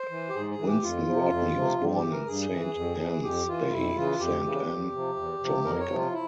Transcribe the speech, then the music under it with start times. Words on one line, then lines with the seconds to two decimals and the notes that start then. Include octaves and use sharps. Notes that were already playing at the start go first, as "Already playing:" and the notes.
Winston Rodney was born in Saint Ann's Bay, Saint Ann, Jamaica.
Already playing: C5
0.10 E3
0.29 G4
0.35 G#2 G#4
0.51 G#4
0.58 E3
0.67 G4
0.83 F2 F4
1.07 C3 F3
1.31 F2
1.55 C3 F3
1.79 G2
1.96 G4
2.03 E3
2.11 A#4
2.27 G2 G#4
2.51 E3
2.75 F2
2.99 E3
3.23 F2 G4
3.48 E3 F4
3.71 F2 E4
3.96 C#3 E3 F4
4.19 F2 G4
4.44 C#3 E3
4.68 E2
4.92 C3 F3
5.16 E2
5.40 C3 F3
5.64 F2 A#4
5.80 C#5
5.88 C3 F3
5.97 F4
6.12 E4